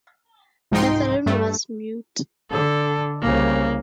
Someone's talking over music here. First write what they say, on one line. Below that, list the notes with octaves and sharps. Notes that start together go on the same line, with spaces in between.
Catherine was mute.
C2 G#2 F3 D#4 G5 C6
G2 A3
D3 A4
C2 C#3 A#3